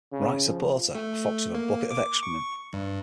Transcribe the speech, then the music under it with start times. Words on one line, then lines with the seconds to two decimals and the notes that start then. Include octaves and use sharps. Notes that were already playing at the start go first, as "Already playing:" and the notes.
Right Supporter a fox with a bucket of excrement.
0.12 C#3
0.46 F3
0.95 A3
1.55 A#3
1.91 D6
2.23 C#6
2.74 G2